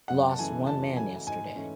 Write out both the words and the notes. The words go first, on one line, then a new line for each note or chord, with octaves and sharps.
Lost one man yesterday.
F#2 F#5
A5
C#3 E3 A3 G#5
F#2 A5
C#3 E3 A3 G#5
G#2 G#5
E3 A3 C#4